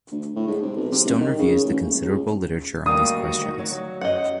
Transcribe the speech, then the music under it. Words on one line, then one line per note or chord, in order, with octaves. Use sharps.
Stone reviews the considerable literature on these questions.
D2
A2
G#2
C3
B1
C3
D#1
D#3
C#3
A1
D#1
C#2
D2 D#3 G3 A#3 D#4 F#4 D#6
F#3
F#2 D#5 F#5